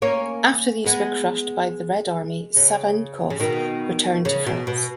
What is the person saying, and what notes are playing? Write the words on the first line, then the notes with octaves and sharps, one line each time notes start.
After these were crushed by the Red Army, Savinkov returned to France.
A#3 C#4
G#3 B3
C#3
C#3
B2 D#3
C#3
B2
B2